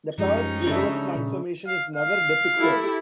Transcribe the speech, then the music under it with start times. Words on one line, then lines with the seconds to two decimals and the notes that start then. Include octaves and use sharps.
The pair's reverse transformation is never depicted.
0.18 F#2 F3 G#3 C#4 D#4 G4
0.67 C#3 D4 A4 E5
1.15 A#2
1.67 F5
1.96 F5
2.56 E4 G4 A4